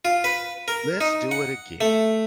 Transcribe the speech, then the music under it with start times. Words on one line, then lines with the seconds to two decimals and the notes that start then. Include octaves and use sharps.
"Let's do it again."
0.05 F4
0.24 B4
0.68 A#4
1.01 D#4
1.31 F#5
1.81 A3